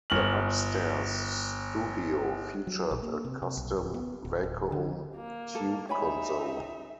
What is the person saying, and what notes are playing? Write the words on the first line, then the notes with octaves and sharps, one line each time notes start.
The upstairs studio featured a custom vacuum tube console.
G1 F6 F#7
F#3
A#1
A#3
C3
C3
B1
D1
B3
D1
D1
D3
A#3
A4
D#4 C#5 E5 G#5 B5